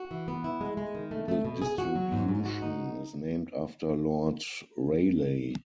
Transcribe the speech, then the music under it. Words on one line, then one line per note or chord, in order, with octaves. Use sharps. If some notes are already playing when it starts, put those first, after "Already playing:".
The distribution is named after Lord Rayleigh.
Already playing: F#4
E3
B3
E4
G#3
G#3
D#3
A3
A3
B2
G#4
F#4
F#3
G#2
G#2
F#4
D#4